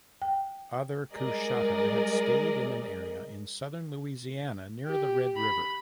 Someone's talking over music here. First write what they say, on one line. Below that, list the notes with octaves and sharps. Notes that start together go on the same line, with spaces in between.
Other Coushatta had stayed in an area in southern Louisiana near the Red River.
G5
G3 G#3 G#4 A#4 D5 D#5
G4
B5